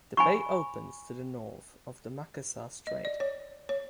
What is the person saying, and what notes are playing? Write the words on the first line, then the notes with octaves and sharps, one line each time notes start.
The bay opens to the north of the Makassar Strait.
G#5 B5 C#6
D#5
D5
C#5
C#5